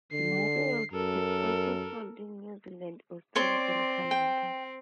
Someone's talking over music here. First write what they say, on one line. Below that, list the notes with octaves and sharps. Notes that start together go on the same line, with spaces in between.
"Warriors" is also sold in New Zealand, Australia, and Canada.
D3 C7
F#2 A4 A#4
C4 C#5 D5 C6
G5